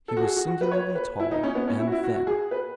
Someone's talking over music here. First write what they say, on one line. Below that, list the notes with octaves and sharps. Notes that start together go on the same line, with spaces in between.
He was singularly tall and thin.
A4
F#4
G#4
F#4
F#4
B4
C#5
B4
E4
D#4
C#4
B3
C#4
E4
F#4
E4
F#4
F#4
G#4
B4